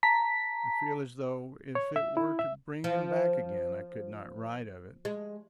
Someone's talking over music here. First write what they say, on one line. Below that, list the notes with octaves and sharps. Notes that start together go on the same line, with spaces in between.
I feel as though if it were to bring him back again I could not write of it.
A5 A#5 B6
C#5
E5
E4
E5
F3
G#3